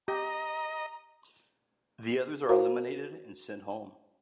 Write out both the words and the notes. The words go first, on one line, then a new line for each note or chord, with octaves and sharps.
The others are eliminated and sent home.
G4 D#5 A#5
F#4 A#4 C5 F5 A#5